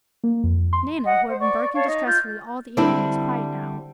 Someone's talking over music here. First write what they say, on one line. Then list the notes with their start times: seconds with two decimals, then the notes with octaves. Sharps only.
Nana, who had been barking distressfully all the evening, was quiet now.
0.24 A#3
0.44 F2
0.73 C6
1.04 D#5 F#5
1.27 C5
1.40 D5 C#6
1.74 C#5 F5 A5 C#6
1.87 D#4
2.06 F4 G6
2.77 D3 G3 C4 D4 E4